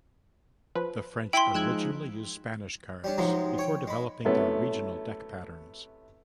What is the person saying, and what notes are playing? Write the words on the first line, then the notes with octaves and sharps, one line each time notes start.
The French originally used Spanish cards before developing their regional deck patterns.
F3 B4
E4 G5 B5 C6
F3 G#3 D#4 E6 F#6 G#6
G3 C#4 D4
G#2 C3 F3 F#3 G#3
C#5 G5
G#3 B5
C3 F#3 A3 B3 C#4 E4